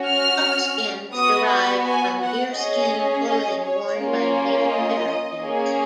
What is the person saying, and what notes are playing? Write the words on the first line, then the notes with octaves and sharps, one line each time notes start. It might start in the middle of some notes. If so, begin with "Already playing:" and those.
Buckskins derive from deerskin clothing worn by Native Americans.
Already playing: C#4 F#4
F6
B3 F#4 D#6
B5
G#5
F#5
C#4 G#4 D#5
D#5
C#5
A#3 C#4 F4
D#5
A#3 C#4 G#4